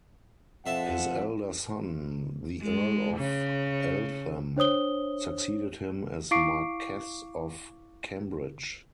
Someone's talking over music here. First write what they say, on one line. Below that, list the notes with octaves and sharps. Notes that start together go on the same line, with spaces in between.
His elder son, the Earl of Eltham, succeeded him as Marquess of Cambridge.
F2 F3 E5 F#5 A5
G#3
C#3
D4 C5 C#5 D#6 G7
E4 F5 C#6 D6 C7 D7